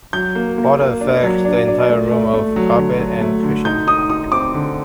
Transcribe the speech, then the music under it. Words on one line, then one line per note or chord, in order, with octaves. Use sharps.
Water affects the entire room of carpet and cushion.
F#3 G6
A#3
A#3
A#3
D4
F#3
D4
D4
A3
A3
A3
F#3
D3
F#3
A3
D3
D#4 G6
D#4 D#6
D#4 D#6
C4 D6
D3